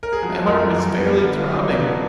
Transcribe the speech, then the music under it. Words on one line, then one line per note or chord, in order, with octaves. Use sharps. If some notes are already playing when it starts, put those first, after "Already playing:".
My heart was fairly throbbing.
A#4
G#4
F3 F#4
F#2 A#4
F#2
B3
D3 B4
F4
F#3
D#4
B3 D4